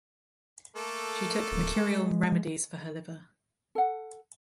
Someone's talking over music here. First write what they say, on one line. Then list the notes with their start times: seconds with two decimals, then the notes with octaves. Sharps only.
She took mercurial remedies for her liver.
0.76 A3 A#3 A4
1.52 D1
1.76 G#3
3.75 A4 F#5